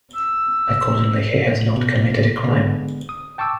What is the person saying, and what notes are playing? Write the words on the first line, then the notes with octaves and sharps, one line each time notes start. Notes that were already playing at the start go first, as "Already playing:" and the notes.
Accordingly, he has not committed a crime.
E6
B2
D3 G#3 B3
D#6
G5 A5 C#6 D6 E6